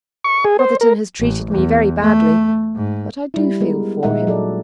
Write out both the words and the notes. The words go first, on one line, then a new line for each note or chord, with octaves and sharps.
Brotherton has treated me very badly, but I do feel for him.
C#6
G#4
C5
A#4
A1
E2
A3
G#2
G3 E4
G#3 B3 A#4
A#2 G#3 D#4 E5 F#5
F#3 A4 D5